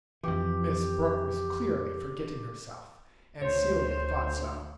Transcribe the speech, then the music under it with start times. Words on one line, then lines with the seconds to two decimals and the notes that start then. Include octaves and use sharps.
Miss Brooke was clearly forgetting herself, and Celia thought so.
0.23 F2 E3 G4
3.42 D2 C5 C#5